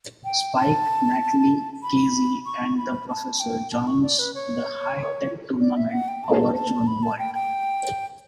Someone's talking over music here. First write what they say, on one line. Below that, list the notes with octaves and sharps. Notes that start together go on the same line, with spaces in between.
Spike, Natalie, Casi and the Professor joins the High-tech Tournament, a virtual world.
G5
A5
B5
C#6
B5
A5
G5
A5
C#6
D5
B4
C#5
D5
E5
F#5
G5
A5
A5
B5
A5
G5
G5